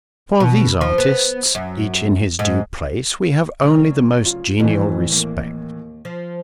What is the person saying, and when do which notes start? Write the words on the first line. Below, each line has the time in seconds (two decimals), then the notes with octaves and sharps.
For these artists, each in his due place, we have only the most genial respect.
0.40 B2
0.81 F3
0.98 B3
1.55 F#2
2.39 G#2
3.62 D2 C#3 F#3
4.25 F4
4.60 F2 A2 E3
5.10 D#2 A#3
6.05 F3